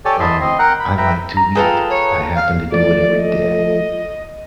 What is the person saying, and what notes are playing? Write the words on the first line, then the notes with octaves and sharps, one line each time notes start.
um, I like to eat. I happen to do it every day,
G4 A4 C#5 D5 G5 G#5
E4 D#5 E5 A5 C6
C4 D#5 C6
A#4 F#5 G5 A#5 F#6
B5
B4 E5 G5 A#5 B5
A#5
F4 G#4 A4 B4 G5 A5
C#5
F5
F3 A3 D5
D#5